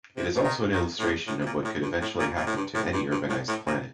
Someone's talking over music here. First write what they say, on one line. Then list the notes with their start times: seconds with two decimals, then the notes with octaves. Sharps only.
It is also an illustration of what could eventually happen to any urbanized planet.
0.16 C3
0.35 F3
0.44 D#3
0.72 D#3
0.99 A2
1.27 A2
1.41 C3
1.46 A#2
1.64 A2
1.82 G2
2.01 A2
2.19 A#2
2.36 A#2
2.46 A2
2.56 G2
2.75 A2
2.93 G2
3.11 G2
3.29 A2
3.48 A2
3.67 A#2